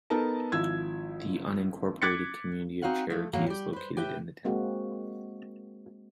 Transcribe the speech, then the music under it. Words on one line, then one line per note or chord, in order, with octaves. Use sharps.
The unincorporated community of Cherokee is located in the town.
B3 D#4 A4 A#4 A5
G#1 F3 E4 E6 G#6
D6 F#6 G#6 A6 B6 C#7
C4 D#4 F#4 F5 F#5
F3 A3
A2 E3 F#3 A#3 F#4 F5
G3 G4
B4 C5
G4 B4 E5 G5
G#3 A#3 C4 F#4